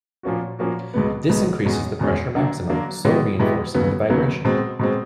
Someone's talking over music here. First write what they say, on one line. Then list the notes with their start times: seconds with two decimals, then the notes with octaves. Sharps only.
This increases the pressure maximum, so reinforcing the vibration.
0.23 A#2 F3 A#3 C#4 F#4
0.59 A#2 F3 A#3 C#4 F#4
0.94 C#2 B2 G#3 B3
1.29 C#2 B2 G#3 B3
1.64 E2 B2 G#3 C#4
1.99 E2 B2 G#3 C#4
2.35 D3 F#3 A#3 D4
2.69 D3 F#3 A#3 D4
3.05 B2 G#3 B3 E4 G4
3.39 B2 G#3 B3 E4 G4
3.75 D#2 C#3 F#3 B3
4.09 D#2 C#3 F#3 B3
4.45 B2 G#3 C4
4.79 B2 G#3 C4